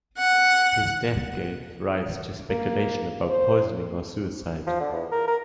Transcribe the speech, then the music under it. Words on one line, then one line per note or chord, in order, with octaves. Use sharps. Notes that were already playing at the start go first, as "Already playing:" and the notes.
His death gave rise to speculation about poisoning or suicide.
F#5
A#3
C5
F3
D3
E2
A#4
A#4